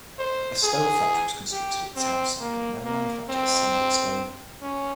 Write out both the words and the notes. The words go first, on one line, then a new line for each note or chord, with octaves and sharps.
A stove factory was constructed at the town-site but never manufactured a single stove.
C5
G#4
G4
C4
A#3
A#3
C4
C#4